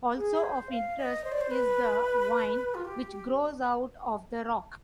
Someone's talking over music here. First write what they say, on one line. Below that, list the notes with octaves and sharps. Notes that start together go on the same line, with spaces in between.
Also of interest is the vine which grows out of the rock.
G#4
C5
F5
D#5
C5
D5
C5
B4
F4
G4
G4